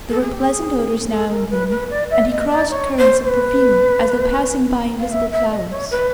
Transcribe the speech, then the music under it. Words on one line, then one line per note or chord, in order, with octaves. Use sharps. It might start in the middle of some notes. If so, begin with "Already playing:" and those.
There were pleasant odours now and then, and he crossed currents of perfume, as though passing by invisible flowers.
A4
G#4
G4
G#4
A4
A#4
B4
B4
D5
E5
D#5
D5
C#5
C5
C5
B4
F5
E5
E5
D#5
C#5
B4